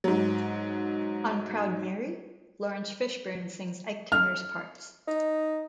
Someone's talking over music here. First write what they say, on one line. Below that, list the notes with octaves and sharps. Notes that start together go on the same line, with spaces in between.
On "Proud Mary," Laurence Fishburne sings Ike Turner's parts.
G#2 F#3
F6
D#4